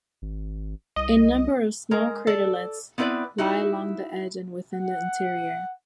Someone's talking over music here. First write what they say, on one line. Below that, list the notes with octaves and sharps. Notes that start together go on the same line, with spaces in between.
A number of small craterlets lie along the edge and within the interior.
G#1
C2 D#5
G#3 A#4
A4 D5
B3 C4 E4 B4 D5
D#4 E4 F#4
F#5